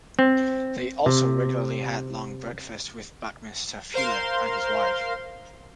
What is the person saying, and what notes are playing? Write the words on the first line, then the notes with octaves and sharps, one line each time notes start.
They also regularly had long breakfasts with Buckminster Fuller and his wife.
C4
C3
A#4 C5 F5 C6